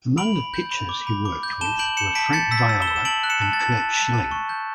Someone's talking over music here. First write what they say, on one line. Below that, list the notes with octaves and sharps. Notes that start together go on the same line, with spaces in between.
Among the pitchers he worked with were Frank Viola and Curt Schilling.
B5 D7 F#7
B5
G6
B5
D6
B5
D6
G6
A5 E7 G7
G6 D7 F#7
G6 C#7 E7
A5 B6 D7
G6 A6 C#7
E6 B6
A6
E6
E7 G7
E6
E7
A5 D7 F#7
F#6
C#7 E7
A5
A6
A5
A5
A5
A5
C#6
G6